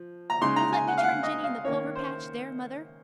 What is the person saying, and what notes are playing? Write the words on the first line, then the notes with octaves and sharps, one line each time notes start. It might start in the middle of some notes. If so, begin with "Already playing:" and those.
Will you let me turn Jinny in the clover patch there, mother?
Already playing: F3
A#5
C#3 G#3 D#4 C6
A#5
G#5
F#5
F5
F#5
D#5
F5
D#3 A#3 C#4 C#5
C5